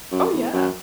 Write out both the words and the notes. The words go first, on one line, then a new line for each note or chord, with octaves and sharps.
Oh, yeah.
F#2
E2
F#2